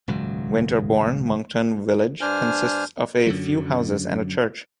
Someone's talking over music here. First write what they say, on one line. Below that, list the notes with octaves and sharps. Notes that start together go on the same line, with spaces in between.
Winterborne Monkton village consists of a few houses and a church.
D#1 C#2 G#2 F#3
G2 D4 C5 G#5 F6
F#2 D3 F#3